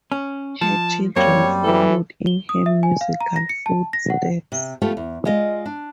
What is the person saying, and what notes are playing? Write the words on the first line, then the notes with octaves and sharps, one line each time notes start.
Her children followed in her musical footsteps.
C#4
F3 A5
F#2 G3 A#3 C4 C#5
E3 A4
G7
D#6
E5
G#5
F5
A#5
A#6
C#7
A5
A#6
F#5
C3
F3 A3 B3 F4 G4
E2
G#3 F4 D5 D#5 F5
D4